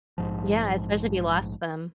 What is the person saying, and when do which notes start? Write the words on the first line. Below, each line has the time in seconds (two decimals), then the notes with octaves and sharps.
Yeah, especially if you lost them.
0.18 A#1 G#2 F3